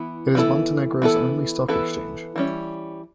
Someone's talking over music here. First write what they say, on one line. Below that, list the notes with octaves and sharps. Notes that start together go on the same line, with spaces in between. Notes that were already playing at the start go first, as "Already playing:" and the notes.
It is Montenegro's only stock exchange.
Already playing: E3 B3 E4
E3 B3 E4 A4
E3 B3 E4 A4
E3 B3 E4 A4
E3 G3 C#4